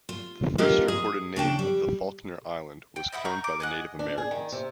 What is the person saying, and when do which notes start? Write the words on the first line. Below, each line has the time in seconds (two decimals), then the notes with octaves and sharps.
The first recorded name of the Falkner Island was coined by the Native Americans.
0.09 F4
0.58 G#3 B3 D4 F4 G4 A#4
0.88 G#4
1.36 C#3 D4 G5 A5
1.59 G3
2.96 G5
3.12 D#5 E5 F#5 B5
3.25 A#4 A#5 C#6 G6
3.44 D6
3.60 G#4 D#5 F#5
3.99 D4
4.18 G#4
4.31 D#3
4.52 C3